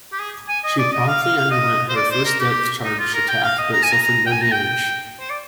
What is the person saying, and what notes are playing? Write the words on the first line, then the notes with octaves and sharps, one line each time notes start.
She promptly underwent her first depth charge attack but suffered no damage.
G4
G#4
G#5
D#5
D5
D#5
F5
F5
F5
D#5
C5
D5
C5
A#4
G4
D#4
F4
A#4
G5
F5
D#5
A#5
G#5
A#5
A#5
G5
G#5
A#5
G5
C5
D5